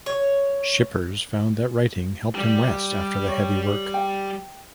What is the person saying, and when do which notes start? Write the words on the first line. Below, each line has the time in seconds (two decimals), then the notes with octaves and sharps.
Schippers found that writing helped him rest after the heavy work.
0.06 C#5
2.35 G3 G4
3.28 C#5
3.94 G5